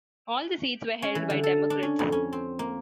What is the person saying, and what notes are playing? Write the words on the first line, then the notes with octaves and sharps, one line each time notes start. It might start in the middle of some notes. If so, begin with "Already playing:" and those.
All the seats were held by Democrats.
C#4
E3
D3
A4
D4
C#4
F2
C#4
C4
A#3